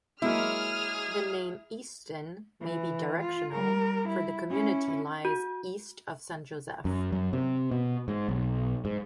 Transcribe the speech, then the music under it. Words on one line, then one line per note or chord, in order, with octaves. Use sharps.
The name Easton may be directional, for the community lies east of Saint Joseph.
F#3 G#3 A#3 E4 G#4 F6
E3
F4
G3 A#4
E4
C#4 E4
F#4
F#2
F#2
C3
B2
G#2
B1
G#2